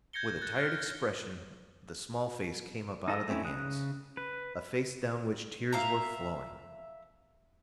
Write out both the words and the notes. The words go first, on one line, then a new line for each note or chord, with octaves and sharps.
With a tired expression the small face came up out of the hands,--a face down which tears were flowing.
G6 G#6 A#6 C#7 G7
F#6 A6
F6
D#4 A4 D#5
A3 C4 C#4 E4
C#3 D#6 F#6
B4
E5 F5 A#5